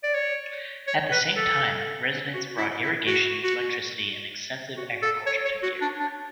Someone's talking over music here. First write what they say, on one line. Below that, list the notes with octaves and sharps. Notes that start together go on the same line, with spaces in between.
At the same time residents brought irrigation, electricity, and extensive agriculture to the area.
D5
C#5
C#5
B4
A4
F#4
E4
E4
F#4
F#4
F#4
A4
C#5
C#5
F#4
D4
D4